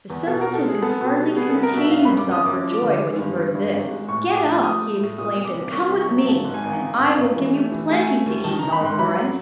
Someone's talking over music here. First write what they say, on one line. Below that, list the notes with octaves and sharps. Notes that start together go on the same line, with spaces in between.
The simpleton could hardly contain himself for joy when he heard this. "Get up," he exclaimed, "and come with me, and I will give you plenty to eat, I'll warrant."
E2
B2 A4
B2 A#4
A4
G#3
G#4
B3 A4
B2
G3
B3 G#4
C2 A4
A#4
B2 E5
F#2 F5
F#2 B5
D6
F#2 D#6
F#2 D6
F3
D6
D3
G#3
G2
G2
G2
G#1
G#3
A2 C#6
A2
D6
F3
A3 D#6
A3
A2
A#2 D#6
C2
D6
C2
C2 C#6
C2
C#6
F#3
G#1 A5
G#2
G#5
G#1
G#1
G#1
G#1
E3
A3
E3
A3 G#5
A3
D#2
D#3 A5
D#3 A#5
B5
G#2 C6
F#3 B5